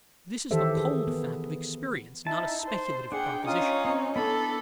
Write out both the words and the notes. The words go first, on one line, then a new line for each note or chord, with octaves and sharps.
This is the cold fact of experience, not a speculative proposition.
D#3 E3 G4 A4 C5 E5
G#4
B3
D#4 E4 A5
C5
D4 G#4 F#5 G5
C#4 D#4 F4 C#5 D#6
C4
B3 D4 E4 A4 B5